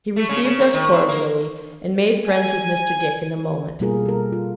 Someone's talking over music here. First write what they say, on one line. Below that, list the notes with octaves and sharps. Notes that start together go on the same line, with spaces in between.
He received us cordially, and made friends with Mr. Dick in a moment.
A3
C#3
C#3
A#3
D#3
G#2
A#3
G#5
B2 G3 A#3 F4 G#4 A#4
A4 A#4
F4